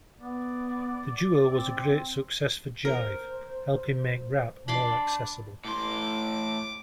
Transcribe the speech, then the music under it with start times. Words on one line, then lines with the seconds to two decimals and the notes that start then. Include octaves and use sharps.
The duo was a great success for Jive, helping make rap more accessible.
0.19 B3 D5
1.45 C4
2.85 A#4 C5
4.68 D4 B5 C6 D6
5.65 A2 C6 D6